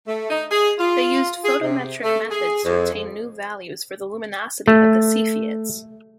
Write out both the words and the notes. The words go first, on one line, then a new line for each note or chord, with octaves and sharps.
They used photometric methods to obtain new values for the luminosity of the Cepheids.
A3
D#4
G#4
F4
G#4
C3
A3
G#4
F2
A3